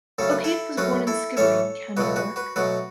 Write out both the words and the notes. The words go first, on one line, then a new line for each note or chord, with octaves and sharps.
O'Keeffe was born in Skibbereen, County Cork.
F#2 C#3 A3 C#4 A4
B4
E4 A4
F#2 F#3 A3 C#4 F#4 B4
E4 A4
A2 E3 A3 C#4 A4 C#5
C#2 B2 F#3 A3 F#4 B4
F#4 B4
F#4 B4
B2 F#3 A3 F#4 B4